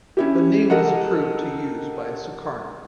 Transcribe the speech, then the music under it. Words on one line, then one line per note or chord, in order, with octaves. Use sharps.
The name was approved to use by Sukarno.
C#4 E4 G4
G4 A4 A#4 D#5 F#5